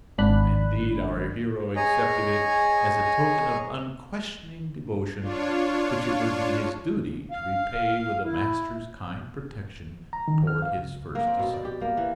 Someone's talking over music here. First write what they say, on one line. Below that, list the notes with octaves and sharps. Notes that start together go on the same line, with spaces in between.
Indeed, our hero accepted it as a token of unquestioning devotion which it would be his duty to repay with a master's kind protection toward his first disciple.
G#1 D4 B5 F#6
G#4 C#5 D#5 G#5 A#5
D4 F4 C#5
F5
E4
A#5
D#3
F6
F5
C#2
A#3
C4
B2
D5
G4
A#3
E3